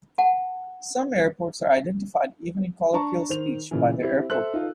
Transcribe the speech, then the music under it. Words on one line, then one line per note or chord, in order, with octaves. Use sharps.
Some airports are identified even in colloquial speech by their airport code.
F#5 A5
D4 A5 A#5 C#6
D#3 C5 F7
A#2 C#3 E3
C4 E4 G4
A4 C5 E5 C6 E6 F#6
D#4 F4 A4